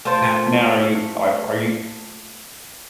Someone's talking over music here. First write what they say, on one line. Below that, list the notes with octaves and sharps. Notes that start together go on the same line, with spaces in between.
No now are you are are you
A3 F4 A#4 C5